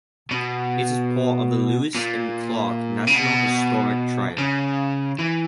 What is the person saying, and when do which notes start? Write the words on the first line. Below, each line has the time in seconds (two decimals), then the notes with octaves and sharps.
It is part of the Lewis and Clark National Historic Trail.
0.31 B2
1.95 A#2
3.07 C#3
3.15 B2
4.38 C#3
5.19 E3